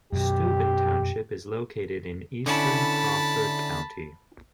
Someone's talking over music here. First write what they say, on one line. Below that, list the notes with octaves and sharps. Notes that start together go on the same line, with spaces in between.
Steuben township is located in eastern Crawford County.
F#2 B2 G4
D3 C#4 E4 A5 B5